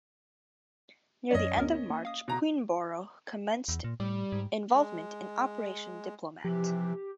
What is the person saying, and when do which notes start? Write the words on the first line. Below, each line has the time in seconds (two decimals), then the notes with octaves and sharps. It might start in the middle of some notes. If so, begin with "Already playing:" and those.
Near the end of March, "Queenborough" commenced involvement in Operation Diplomat.
1.31 F#2 F#3 C#4 D5 D#5
1.57 D2 B3 A#4
1.90 A#3
2.05 F5 D#6
2.28 B2 A#5
3.69 E2
3.84 A#2
4.00 A2 G3
4.32 G#2
4.74 G#3
6.44 C3 E3 F3 G4